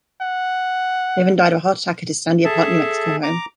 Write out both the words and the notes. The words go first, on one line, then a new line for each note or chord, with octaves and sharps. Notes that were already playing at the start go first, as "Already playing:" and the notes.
Davern died of a heart attack at his Sandia Park, New Mexico home.
F#5
G#4 A4 E5 A5
A#5 D6